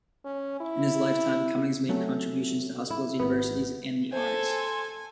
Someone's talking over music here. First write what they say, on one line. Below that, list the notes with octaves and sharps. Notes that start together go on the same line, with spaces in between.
In his lifetime, Cummings made contributions to hospitals, universities, and the arts.
C#4
E4
F#3 A3 C#4
E4
G#1 B3
A4 C5 G#5